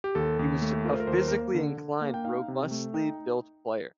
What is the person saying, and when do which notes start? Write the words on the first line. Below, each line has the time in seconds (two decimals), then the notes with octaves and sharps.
He was a physically inclined, robustly built player.
0.04 G4
0.15 D#2 A4
0.39 D#2
0.62 A3
0.85 F4 A#4
0.92 C5
1.00 A#4
1.07 D#2 C5
1.13 A#4
1.21 C5
1.28 A#4
1.31 A#3
1.54 D3
1.78 D3
2.01 A#3
2.14 G5
2.25 D#4 F5
2.48 C3
2.71 A3
2.94 D#4 G5